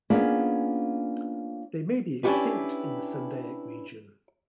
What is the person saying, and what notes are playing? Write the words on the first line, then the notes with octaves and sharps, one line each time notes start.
They may be extinct in the Sundaic region.
A#3 B3 C#4 D4 F4 G#4
C#4 D4 E4 F#4 G4 B4